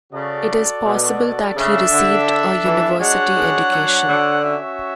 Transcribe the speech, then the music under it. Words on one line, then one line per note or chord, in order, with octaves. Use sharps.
It is possible that he received a university education.
C#3 F#4 A4 D5
B2
C#3 D4 A4 E5
D3
E3
G#3 D4 F#4 C#5 F#5
G#3
F#3
D3
C#4 F#4 C#5 E5